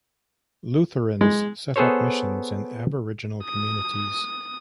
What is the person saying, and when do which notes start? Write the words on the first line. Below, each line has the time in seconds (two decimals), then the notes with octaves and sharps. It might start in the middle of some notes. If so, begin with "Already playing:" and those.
Lutherans set up missions in Aboriginal communities.
1.21 G#3
1.76 B3 G#4 A4 C5 C#5
3.45 D#6